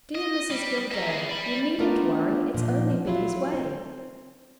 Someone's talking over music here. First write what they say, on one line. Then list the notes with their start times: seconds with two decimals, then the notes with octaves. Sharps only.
'Dear Mrs Gildea, you needn't worry, it's only Biddy's way.
0.15 D#5
0.50 G3
0.92 A#4 E5
1.09 E3 G#4
1.29 D5 B5
1.79 A3 B3 D4 D#4 F4 A#4
2.54 A#2 F3
3.06 F#3 E4 F4
3.54 C4